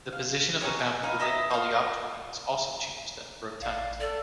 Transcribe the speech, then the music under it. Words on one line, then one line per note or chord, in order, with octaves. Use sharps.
The position of the family within Coleoptera has also changed a number of times.
F5
D#4 F#4 G#4 C#5
G#5
D#4 D#5 F5 B5
D#5 E5 A#5 D#6
C5 F5
A1 D5 F5
A4 D5